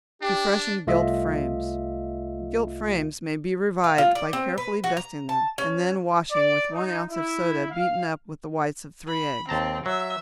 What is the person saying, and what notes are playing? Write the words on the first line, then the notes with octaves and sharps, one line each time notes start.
To Freshen Gilt Frames.--Gilt frames may be revived by carefully dusting them, and then washing with one ounce of soda beaten up with the whites of three eggs.
D4 G4
C2 A3 F4 D#5 E5
F5
F4
D5
C4
B4
F#4
A#5
A5
C#4
D5
D#4
E4
F5
B5
D#2 C4 A5 A#5
F#3 E5